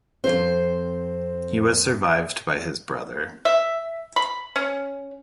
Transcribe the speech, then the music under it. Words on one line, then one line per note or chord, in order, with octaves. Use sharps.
He was survived by his brother.
F2 C4 C5
E5
B5
C#4